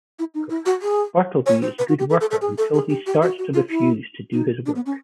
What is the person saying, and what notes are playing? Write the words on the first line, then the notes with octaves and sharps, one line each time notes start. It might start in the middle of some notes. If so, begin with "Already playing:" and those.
Bartleby is a good worker until he starts to refuse to do his work.
E4
D#4
E4
F#4
G#4
C#5
C5
B4
F#4
G4
A4
A4
A4
G#4
A4
G#4
G4
G4
F#4
F#4
F4
E4
D#4
D4
B3
C#4